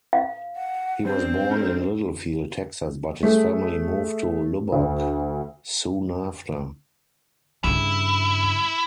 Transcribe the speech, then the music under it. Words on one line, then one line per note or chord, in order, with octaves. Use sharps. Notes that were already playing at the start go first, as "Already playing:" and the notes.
He was born in Littlefield, Texas but his family moved to Lubbock soon after.
F5
F#5
G3 C4 D4 G#4 C5 D5
C#4 A4 A#4
A3 G#4
D2
G2 C#3 E4